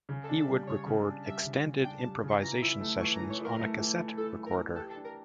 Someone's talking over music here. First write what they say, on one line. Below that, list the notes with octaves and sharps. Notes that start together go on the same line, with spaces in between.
He would record extended improvisation sessions on a cassette recorder.
C#3
A4
D4
A4
G3
C#3 C#5
C#3
D4
G3 E5
C#3
C#3
D4 G5
A5
G3
C#3
C#6
E3 A#5
E4
A3
E3 C#6
A#5
E3
C#5
E4
A#4
A3
E3
E3
E4 A4
A3
A#4
E3
G4 A4
A4
D4
A#4